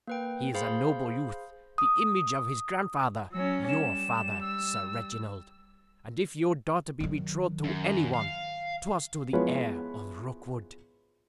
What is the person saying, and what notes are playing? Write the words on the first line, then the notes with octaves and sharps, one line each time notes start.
He is a noble youth--the image of his grandfather, your father, Sir Reginald; and if your daughter be betrothed to any one, 'twas to the heir of Rookwood.
A#3 B4 G5
G#4 C5 F5 B5 C6
D#6
F#3 C#4 E6
G3 E7
E6
D#3 F#3
F#2
F5
F3 G#3 B3 E4 B4 C#5